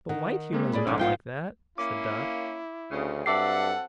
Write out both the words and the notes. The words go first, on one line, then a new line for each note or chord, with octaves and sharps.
"But white Humans are not like that," said Dot.
D#3 F#5
G#3 A#3 C4
A2 G#4 D5 B5
A#1 G#2 D3 C#4 D4
B3 F4 G5
A#3 C#4 E4 D6
D2 C#3
G2 F#3 C4 A4 E5 F#5 D6 C7